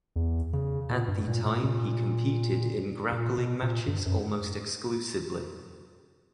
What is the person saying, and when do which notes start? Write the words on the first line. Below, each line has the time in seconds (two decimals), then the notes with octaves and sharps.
At the time he competed in grappling matches almost exclusively.
0.16 E2
0.53 C#3
0.90 A#2
1.08 G2
1.28 A#2
1.46 A#2
1.65 A#2
3.12 A#2
3.38 B2
3.63 A#2
3.87 G2
4.06 F#2